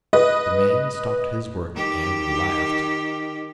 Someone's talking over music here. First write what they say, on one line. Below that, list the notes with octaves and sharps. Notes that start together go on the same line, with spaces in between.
The man stopped his work and laughed.
B4 D#5
D#3 G4